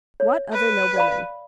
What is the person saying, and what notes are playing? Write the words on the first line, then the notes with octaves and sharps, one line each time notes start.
"What other nobleman?"
C#5
B4
D5 F5 B5